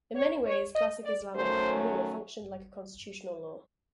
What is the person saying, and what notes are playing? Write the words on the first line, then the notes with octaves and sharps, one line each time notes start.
In many ways, classical Islamic law functioned like a constitutional law.
C#5
C#5
D#5
D5
F#2 D#3 F#3 A3 C#4 C5